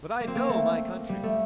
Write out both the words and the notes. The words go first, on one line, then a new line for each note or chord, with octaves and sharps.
But I know my countrymen.
A#3
C4
A#3
A3
G3
A3